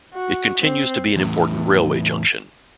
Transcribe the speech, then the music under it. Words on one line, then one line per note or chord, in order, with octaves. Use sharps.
It continues to be an important railway junction.
F#4
C4
E2 A2